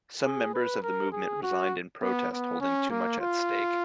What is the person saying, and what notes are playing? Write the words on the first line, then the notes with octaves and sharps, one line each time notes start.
Some members of the movement resigned in protest, holding too much at stake.
G#4
B4
A#4
G#4
F#4
B3
B3
C#4
A#3
F4